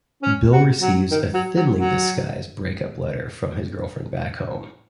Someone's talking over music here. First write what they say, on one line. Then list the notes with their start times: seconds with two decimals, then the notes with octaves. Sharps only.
Bill receives a thinly-disguised break-up letter from his girlfriend back home.
0.23 C#4
0.52 F#4
0.82 F#3
1.11 D#3
1.34 F#3
1.57 F#3
1.78 F#3